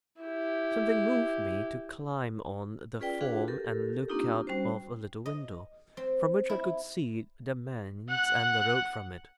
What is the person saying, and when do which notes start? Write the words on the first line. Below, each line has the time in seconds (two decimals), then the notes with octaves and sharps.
Something moved me to climb on the form and look out of a little window, from which I could see the manse and the road from it.
0.22 E4 G4
3.00 C#4 F4 G#4 B4 D5 G5
3.21 D4 F4 F#4 G#4 B4 F5
3.48 G4 A4 A#4
4.09 A#3 C4 D4 D#4 F4 G4
4.47 G3 C#4 F#4 C5
5.26 D#5
5.97 C4
6.49 E4
8.09 F#5 F#6